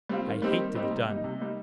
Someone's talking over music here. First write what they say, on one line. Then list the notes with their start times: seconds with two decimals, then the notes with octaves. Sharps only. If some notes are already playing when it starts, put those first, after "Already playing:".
I hate to be done.
0.09 G3 C4 F4
0.26 D#3
0.42 G3 C4 D#4 G4
0.58 D#3
0.75 G3 C4 D#4 G4
0.91 C3
1.07 G3 D#4
1.24 C3
1.40 G3 D#4